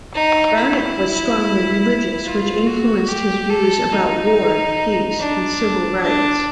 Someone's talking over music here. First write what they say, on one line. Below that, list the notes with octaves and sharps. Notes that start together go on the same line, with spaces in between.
Barnet was strongly religious, which influenced his views about war, peace and civil rights.
D#4
E4
F4
F#4
G4
A4
D#4
D4
D4